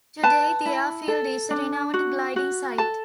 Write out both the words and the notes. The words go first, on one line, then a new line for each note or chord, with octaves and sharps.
Today, the airfield is a renowned gliding site.
B4 A5
E4
A4
D4
F#4
F#4
A4 A5